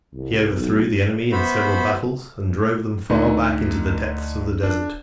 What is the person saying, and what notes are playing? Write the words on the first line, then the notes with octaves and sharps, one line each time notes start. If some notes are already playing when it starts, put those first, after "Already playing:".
He overthrew the enemy in several battles, and drove them far back into the depths of the desert.
C2
B1
B3 F#4 C5 E5 B5
D2 D3 A3 D#4
D#1 D4